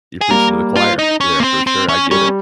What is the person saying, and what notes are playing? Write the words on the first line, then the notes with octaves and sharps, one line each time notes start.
you're preaching to the choir there for sure, I get it.
G#4
G3 A#3 A#4
F4
D#4
C#4
A#3
C4
C4
C#4
G3 C#4